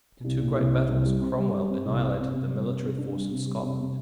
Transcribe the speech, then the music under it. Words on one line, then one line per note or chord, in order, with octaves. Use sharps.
In two great battles Cromwell annihilated the military force of Scotland.
C2
A#2
C2
C4
C2
G3
C4
G3
G3
C4
C2
C4
C3
C3
G3
C3
C3
D4
G3
C3
G3
C3
C3